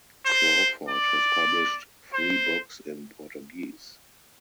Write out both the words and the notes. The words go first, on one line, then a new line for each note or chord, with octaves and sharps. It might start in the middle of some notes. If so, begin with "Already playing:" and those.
Crawford has published three books in Portuguese.
C5
D5
C5